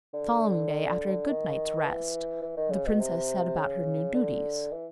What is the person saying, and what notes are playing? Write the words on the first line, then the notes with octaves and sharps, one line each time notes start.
The following day, after a good night's rest, the princess set about her new duties.
D3
D#3
E3
E3
D#3
C#3
B2
C3
C#3
D3
E3